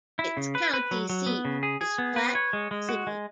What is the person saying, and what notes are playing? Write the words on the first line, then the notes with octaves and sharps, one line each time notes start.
Its county seat is Platte City.
E4
C#3
B4
B4
F#3
F#3
B3
C#3
G#4
G#4
B3
B4
C#5
G#3
G#3
F#4
G#3